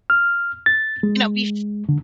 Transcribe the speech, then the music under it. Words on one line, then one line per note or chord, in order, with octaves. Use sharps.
you know, bef
F6
A6
G#3
D3